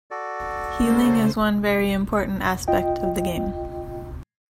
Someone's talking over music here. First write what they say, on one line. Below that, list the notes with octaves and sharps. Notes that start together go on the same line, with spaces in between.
Healing is one very important aspect of the game.
F#4 A4 D5
C#3 A3 C5
F4 D#5 G5